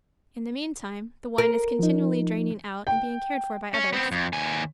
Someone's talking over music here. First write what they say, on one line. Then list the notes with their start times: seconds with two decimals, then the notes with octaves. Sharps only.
In the meantime, the wine is continually draining out and being cared for by others.
1.38 A#4
1.79 F3 D#4
2.87 G5
3.74 C#4
3.93 B3 C4
4.12 F2
4.33 D#2 G#5